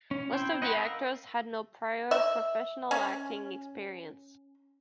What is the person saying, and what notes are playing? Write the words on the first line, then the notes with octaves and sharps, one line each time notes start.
Most of the actors had no prior professional acting experience.
C#4
C4 E4 C5 G5
D#5 F#5 G5 B5
A#4 F5 E6
E5
C#4